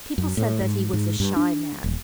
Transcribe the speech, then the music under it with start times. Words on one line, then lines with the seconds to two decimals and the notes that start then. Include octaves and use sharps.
People said that he was a shy man.
0.18 F#2
0.37 A2
0.61 G#2
0.93 G#2
1.20 G2
1.36 D4
1.84 D#1